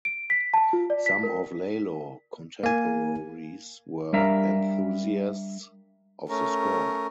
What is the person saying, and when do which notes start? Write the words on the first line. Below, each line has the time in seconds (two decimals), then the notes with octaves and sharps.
Some of Lalo contemporaries were enthusiasts of the score.
0.05 D7
0.30 B6
0.54 A5
0.73 F4
0.90 D5
1.06 B6
1.23 A#4
2.63 A#3 G#5
4.13 G3 D4 A#4 E5 F5 A#5
6.29 A3 C#4 A#4